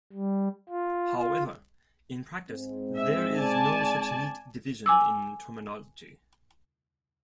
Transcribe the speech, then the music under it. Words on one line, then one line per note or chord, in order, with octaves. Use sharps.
However, in practice, there is no such neat division in terminology.
G3
F4
F4
G#2 G#3 C4
E5
D5 G#5 A5
G#5 D6 E6